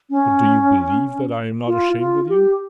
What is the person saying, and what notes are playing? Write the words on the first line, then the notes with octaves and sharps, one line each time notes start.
"But do you believe that I am not ashamed with you?"
C#4
F4
F4
G4